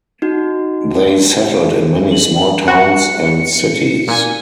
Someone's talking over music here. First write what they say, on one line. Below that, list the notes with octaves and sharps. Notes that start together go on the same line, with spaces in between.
They settled in many small towns and cities.
D#4 F#4
F#7
F#4 C#7
A#2 G#5